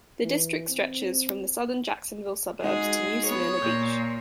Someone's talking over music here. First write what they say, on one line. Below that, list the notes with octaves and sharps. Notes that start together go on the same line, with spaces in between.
The district stretches from the southern Jacksonville suburbs to New Smyrna Beach.
E3
C4
G#3 D#4 F#4 G#4
B3 C#5
A#2 G6